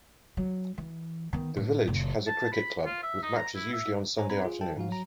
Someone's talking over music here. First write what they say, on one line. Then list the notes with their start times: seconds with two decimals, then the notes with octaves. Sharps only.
The village has a cricket club with matches usually on Sunday afternoons.
0.37 F#3
0.78 E3
1.33 D#3 B3
1.57 A2
1.88 F#1 A#2
2.27 A5
2.53 B5
2.86 F4
3.03 E5
3.23 D#4
3.37 A#5
3.55 E4
3.73 E5
4.18 C5 C#5 G#5 A#5
4.30 C4 A#5 B5 G#6
4.45 F4 G#4
4.61 A4 G5 A5
4.77 G#2 F3 F#4 F5
4.89 F#3 A#5